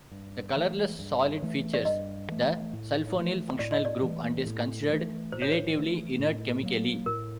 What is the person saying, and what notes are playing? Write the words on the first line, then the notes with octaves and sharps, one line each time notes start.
This colorless solid features the sulfonyl functional group and is considered relatively inert chemically.
G2
E3 A3
G2
E3 A3
D5
G2 D#5
E3 A3
A2
E3 A3
A2 D5
D#5
D5
E3 A3
A2
E3 A3
A2 C5
C#5
C5
E3 A3
A2
F#3 A#3
A2 A#4